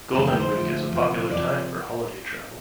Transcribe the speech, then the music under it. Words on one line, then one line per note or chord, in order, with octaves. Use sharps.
Golden Week is a popular time for holiday travel.
D2 D3 F3 A3 A5
G5
C5
D2 D3 F3 A3
D2 C3 F3
C3 F3 D5